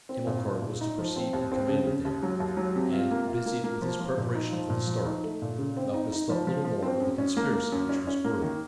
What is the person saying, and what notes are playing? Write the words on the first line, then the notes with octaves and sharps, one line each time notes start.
Hamilcar was to proceed in command of them, and, busied with his preparation for the start, Malchus thought little more of the conspiracy which was brewing.
C4
A#2
A#2
A#2
D#4
F3
C4
D#2
C4
C#3
C#3
D#2
F#3
D#2
F#3
C3
F4
A#3
F4
A#3
A#3
F3
F3
A#2
D#4
F3
A#2
F3
D#4
A3
A#2
C#3
C4
D#4
D#4
F3
F3
F3
C4
F#2
C#4
A#3
A#3
F#2
C#4
C#4
A#3
D#3